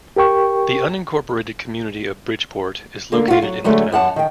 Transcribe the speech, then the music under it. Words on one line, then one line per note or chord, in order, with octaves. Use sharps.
The unincorporated community of Bridgeport is located in the town.
G4 A#4 G5 C#6
D3 A#3
F4 F#4
F#3
D3 F#3 G#3 A3
F#2 F#5 A5
D#3 G5